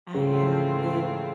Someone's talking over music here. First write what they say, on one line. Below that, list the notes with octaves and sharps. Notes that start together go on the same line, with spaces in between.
I have with
G#2 C#3 E3 A3 C4 F4